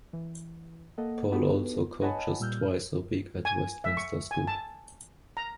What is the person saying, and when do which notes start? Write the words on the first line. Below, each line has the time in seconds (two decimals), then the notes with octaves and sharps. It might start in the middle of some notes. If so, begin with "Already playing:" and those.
Paul also coaches twice a week at Westminster School.
0.13 E3
0.98 A#3 A4 D#5 F#5
1.32 B3 D#4 F#4 G4 A4 B4
2.01 C#5 D#5 F#5 G#5 A5 B5
2.40 A#2 G3 E6 F6 G6
3.45 G#5
3.84 E5
3.97 C#6
4.31 G#5
4.47 A5
5.37 A#5